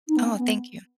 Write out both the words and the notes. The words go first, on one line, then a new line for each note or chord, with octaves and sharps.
Oh, thank you.
D#4
B3
C#4
B3